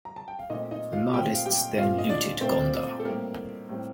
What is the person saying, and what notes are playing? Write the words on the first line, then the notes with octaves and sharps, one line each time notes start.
The Mahdists then looted Gondar.
A#5
A5
G5
F5
A#2 A3 C4 D#4 D#5
D#4 D#5
F4 F5
A#2 A3 C4 G4 G5
F5
G4 G5
A#2 A3 C4 F4 F5
D#5
D4 D5
A#2 A3 C4 C5
A4
A2 G3 A#3 C4 A#4
A2 G3 C4